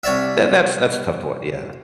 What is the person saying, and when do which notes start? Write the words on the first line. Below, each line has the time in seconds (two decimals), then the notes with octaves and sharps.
That that's that's tough to wa yeah.
0.04 C2 C#5 D5 E5